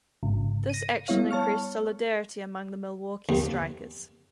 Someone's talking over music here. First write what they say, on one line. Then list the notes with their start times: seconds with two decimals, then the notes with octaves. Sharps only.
This action increased solidarity among the Milwaukee strikers.
0.23 A1 G#2 C#3
0.70 A#6 D#7
1.08 G3 B3 E4 C#5 F5
1.31 C#5 A5 C#6 F6
3.29 D#2